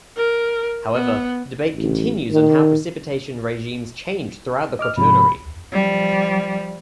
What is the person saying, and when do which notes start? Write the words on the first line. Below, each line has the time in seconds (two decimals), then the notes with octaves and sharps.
However, debate continues on how precipitation regimes changed throughout the Quaternary.
0.17 A#4
0.95 B3
1.76 A1
2.30 D#3
4.79 D#5 D6 F6
4.98 G#2 C3 F3 B5
5.73 F3 G3